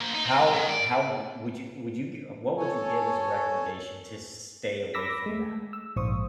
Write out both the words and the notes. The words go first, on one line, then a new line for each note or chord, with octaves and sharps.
How how w would you would you gi what would you give as a recommendation to stay away from that?
A#3 C5
D#4
C4
G#3
G#2
D5
A4 C#5 G#5
B5 D6 E6 A#6 B6
G#3 A3
E6
A#1 G#2 C5 C#6 D#6